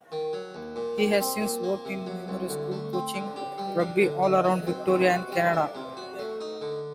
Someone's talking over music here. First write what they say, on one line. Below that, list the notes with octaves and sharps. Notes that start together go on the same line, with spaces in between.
He has since worked in numerous school coaching rugby all around Victoria and Canada.
D#3
F#3
D#2
A#2
G3
C4
A#2
A#3
C3
F#3
C2
D3
A3
C4
D3
G4
G3
D4
D3
D#4
F#3
C4
C3
F#4
G3
D4
C3
F#4
A3
D#4
D3